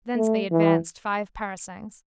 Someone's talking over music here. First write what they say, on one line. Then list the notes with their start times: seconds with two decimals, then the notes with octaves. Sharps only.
Thence they advanced five parasangs.
0.16 A3
0.52 E3